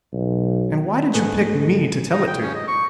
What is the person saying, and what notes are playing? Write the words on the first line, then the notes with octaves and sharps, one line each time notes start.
"And why did you pick me to tell it to?"
B1
G#2 A3 B3 G#4
D#4
G5
C#4
D#5
C#6